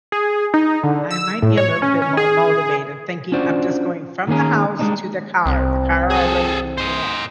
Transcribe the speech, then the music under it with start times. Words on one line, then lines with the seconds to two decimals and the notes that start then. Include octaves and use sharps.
I might be a little bit more motivated thinking I'm just going from the house to the car and the car already be warm.
0.12 G#4
0.54 D#4
0.83 D3
1.11 E6
1.42 A2
1.57 C#5
1.82 C#4
2.02 C#4
2.17 G#4
3.32 C#4 D4 F4 F#4 C5 D5
4.28 D#3 A#3 C#4 G#4 A#4
4.79 G3 G#3 A#3 C4 D4 D#4
5.46 C2 C4
6.11 G#4 A4
6.78 C5 D#5